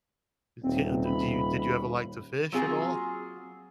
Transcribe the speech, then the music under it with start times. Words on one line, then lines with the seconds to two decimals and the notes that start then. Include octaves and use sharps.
it's can d do you did you ever like to fish at all?
0.63 D#1 C4
1.05 B5
2.52 F#3 A#3 C4 F4 G#4